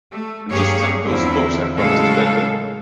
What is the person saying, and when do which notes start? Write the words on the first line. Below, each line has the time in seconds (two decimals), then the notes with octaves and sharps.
And just send those books I promised to lend him?
0.10 A3
0.49 G2 F#3 A#3 G4 G#4 C#5
1.03 E2 D3 F3 C4 E4
1.77 A2 C#3 F#3 G#3 A4 F5